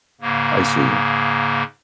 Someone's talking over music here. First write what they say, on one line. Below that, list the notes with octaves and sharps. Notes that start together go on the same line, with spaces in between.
I see.
G#2 C#3 A#3